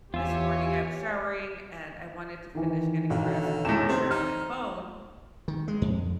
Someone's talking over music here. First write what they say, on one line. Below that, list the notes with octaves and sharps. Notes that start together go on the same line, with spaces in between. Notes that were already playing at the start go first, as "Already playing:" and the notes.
this morning, I was showering, and I wanted to finish getting dressed before I grabbed my phone,
E2 F4 G4 C#5 E5 G#5
D#3 E3
B1 D3
E2 A2 E7
C3 C4
D#4 F6
D#3
G#3
F2